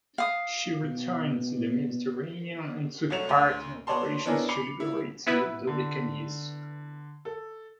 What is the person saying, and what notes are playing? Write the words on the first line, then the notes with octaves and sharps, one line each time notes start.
She returned to the Mediterranean and took part in operations to liberate the Dodecanese.
F5 D#6
B2
C2 F#3 A3 C#5 E7 F7
D2
F#4 B4 C#5 D5 A5 C6
B3 C#4 D4 E4 G#4 A#4
B5 D6 C7 C#7 F7
E4
B3 E4 B4 E5
D3
A4